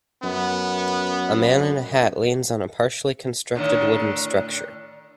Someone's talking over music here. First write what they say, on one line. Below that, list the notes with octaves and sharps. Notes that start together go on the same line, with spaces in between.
A man in a hat leans on a partially constructed wooden structure.
F#2 B3
A2 D3 D#3